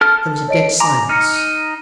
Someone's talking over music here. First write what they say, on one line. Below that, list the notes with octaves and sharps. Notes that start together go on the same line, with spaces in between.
There was a dead silence.
A4 F6
C#5 D#5 D7
G#5 A#5 C6 D6
D#4 F6 A#6 C#7